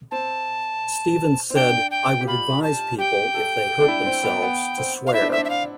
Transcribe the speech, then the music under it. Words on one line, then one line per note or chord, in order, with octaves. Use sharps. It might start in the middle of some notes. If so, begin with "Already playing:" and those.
Stephens said "I would advise people, if they hurt themselves, to swear".
C4 A5
C4
D4 G5
G5
G4
F4 B5
A5
G4 G5
A4
D4
E4
C4
B3
B3
C4
F5
E4 E5
D4
C4 E5
D4
E5
F5